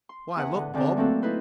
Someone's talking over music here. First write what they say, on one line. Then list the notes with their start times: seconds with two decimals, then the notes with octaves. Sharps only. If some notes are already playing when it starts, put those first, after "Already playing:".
Why, look, Bob.
0.09 C6
0.36 E2 B4 F#5 D#6
0.55 D3
0.74 E2 D3 C4 D5
0.96 F#3 A3 A#3 C4 F#4 A4
1.22 D#4 E4 A4 B4 C5